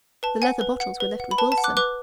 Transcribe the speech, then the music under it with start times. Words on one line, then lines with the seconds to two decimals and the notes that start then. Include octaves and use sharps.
The leather bottles were left with Wilson.
0.23 B4 A5
0.42 F#5 G#5
0.61 B4
0.80 F#5
1.00 B4
1.20 F#5
1.31 B5
1.38 B4 A5
1.52 A5
1.58 F#5
1.64 D6 F#6
1.77 B4 D6 F#6